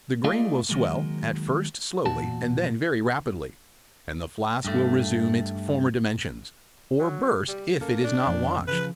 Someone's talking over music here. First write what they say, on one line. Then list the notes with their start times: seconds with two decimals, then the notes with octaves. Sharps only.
The grain will swell, at first slowly and then very rapidly, and the flask will resume its former dimensions, or burst if it is not watched.
0.24 A3 F4 G#4 D5 D#5 F5
0.69 D#3 F#3 G#3 A#3
2.06 E2 A#2 F#4 A5
4.65 G2 A3
6.99 F#3
7.48 G3
7.81 A#3 C#4 A4
8.04 D4
8.26 F2 C#4
8.68 C#3 F3 B4